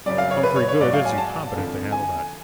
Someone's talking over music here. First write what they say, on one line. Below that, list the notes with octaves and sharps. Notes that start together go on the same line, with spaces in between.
Humphrey Goode isn't competent to handle that.
F#2 C#3 F#3 D5
F5
C#5
B4
C#5
C#5
G#2 F#3 D5
F5
G#5
A5
F2 D3 F3
G#5